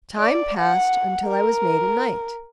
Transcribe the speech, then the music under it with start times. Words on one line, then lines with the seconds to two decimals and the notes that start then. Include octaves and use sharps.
Time passed until I was made a knight.
0.20 D5
0.58 F#5
1.26 A#4